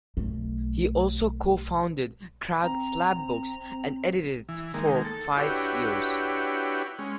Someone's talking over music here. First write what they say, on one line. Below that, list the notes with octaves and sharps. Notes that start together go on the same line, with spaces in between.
He also co-founded Cracked Slab Books and edited it for five years.
B1 A3
C4 A#5
E3
D#3 G#3 A#3
A4
D4 E4 F#4 G4 B4 C#5
G#3 C#4